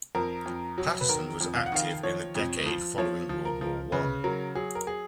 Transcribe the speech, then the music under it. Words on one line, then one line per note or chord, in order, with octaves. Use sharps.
Patterson was active in the decade following World War One.
F2 A#4
F2
F#3
B4
D#3 A#4
F2
F5
F#5
D#3 F5
F3 C#5
F2
F3
F3 C#5
F3
A#4
F3
C#3 B4
F#3 A#4
F#3 G#4
A#4
G#4